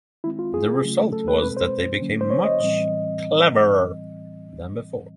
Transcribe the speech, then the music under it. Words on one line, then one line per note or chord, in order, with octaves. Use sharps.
The result was that they became much cleverer than before.
D#3 G#3 C4 E4
F4
G#4
C#3 F#3 A3 C#4
A4
B4
B2 G#3 C4 B4
C5
D3 F#3 A#3 C#4
C5
C#5
D#5
A2 E3 G3 C4 D#5